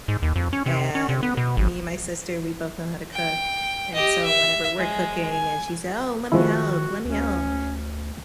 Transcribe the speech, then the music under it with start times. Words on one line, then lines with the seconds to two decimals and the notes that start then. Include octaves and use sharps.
And me and my sister, we both know how to cook, and so whenever we're cooking, and she said, "Oh, let me help, let me help."
0.08 G#2
0.23 D#2
0.36 F2
0.53 C#4
0.66 C3
0.95 C#4
1.09 C3
1.23 B3
1.37 B2
1.57 G#1
3.13 G5
3.94 G4 D#5
4.24 E5
4.77 G#3
5.31 G#5
6.32 D#3 F3 G#3 E4 F#4
7.06 D2 C#4